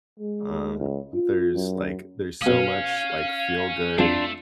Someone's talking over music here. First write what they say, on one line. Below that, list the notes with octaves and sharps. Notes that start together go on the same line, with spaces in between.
um, there's like there's so much like feel-good,
G#3
C#2
F4
F#2
B2 C#4 F5 D#6
F2 F3 A3 D4 F4